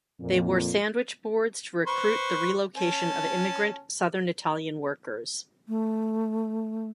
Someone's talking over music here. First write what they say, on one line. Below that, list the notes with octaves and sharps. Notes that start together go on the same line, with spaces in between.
They wore sandwich boards to recruit the relocation of immigrant southern Italian workers.
F2 A#2
B4 C5 C#6
C#4 A5
A3